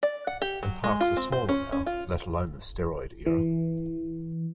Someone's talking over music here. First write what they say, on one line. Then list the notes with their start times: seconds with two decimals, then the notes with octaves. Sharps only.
And parks are smaller now, let alone the steroid era.
0.03 D5
0.27 F#5
0.42 G4
0.63 F#3
0.84 G#3
1.00 F4
1.17 C4
1.32 C5
1.48 C#4
1.72 C#4
1.86 F4
3.26 E3